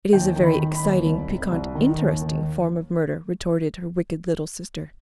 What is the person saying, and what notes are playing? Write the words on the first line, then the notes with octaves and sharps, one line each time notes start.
"It is a very exciting, piquant, interesting form of murder," retorted her wicked little sister.
D#2 G5
D#3
B5
D#3
B5
D#2
C2
C3
C2
D#3
D#2
D#3